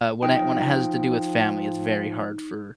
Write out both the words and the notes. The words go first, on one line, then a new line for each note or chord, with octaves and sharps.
when it when it has to do with family, it's very hard for,
F3 D#4 G5